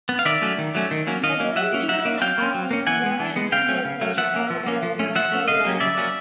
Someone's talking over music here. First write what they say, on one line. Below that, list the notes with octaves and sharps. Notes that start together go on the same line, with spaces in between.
The band began as Merritt's studio project under the name Buffalo Rome.
B3
F5
D#3 D5 E5
F#3 A3 C#4
D#3
F#3 A3 C#4
D#3
F#3 A#3 C#4
D#3 D#5 F5
F#3 A#3 C#4
F#3 E5 F#5
A#3 C#4
F#3 E5 F#5
A#3 C#4
F#3 F5 G5
A#3 C#4
F#3
A#3 C#4
E3 F#5 G#5
G#3 B3
E3
G#3 B3
C#3 F5 G5
F#3 A3 C#4
C#3
F#3 A3 C#4
F3 E5 F#5
A#3 C#4
F3
A#3 C#4
F3
A3 C#4
F3 E5 F#5
A3 C#4
C#3 D#5 F5
F#3 A#3 C#4
C#3 D5 E5
F#3 A#3 C#4